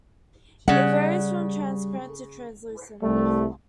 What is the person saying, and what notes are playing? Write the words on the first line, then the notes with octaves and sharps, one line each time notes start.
It varies from transparent to translucent.
C#3 G3 F#5
C2 G3 A3